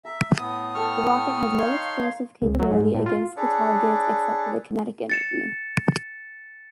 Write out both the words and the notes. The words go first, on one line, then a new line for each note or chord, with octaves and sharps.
The rocket has no explosive capability against the target except for kinetic energy.
E5 A#5
A2 B3 D#6
A4 G5 C#6 F6
D#4 C#5 F5 C6
C#2
F#3
G#2
A2
F4
D4 G#4 A4 B4 C#5 D5
A6 C#7 E7